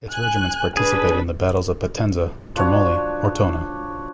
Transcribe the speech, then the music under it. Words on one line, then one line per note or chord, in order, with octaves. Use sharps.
Its regiments participated in the Battles of Potenza, Termoli, Ortona.
G#5 F#6
D4 G#4 B4
F3 D4 F#4 C#5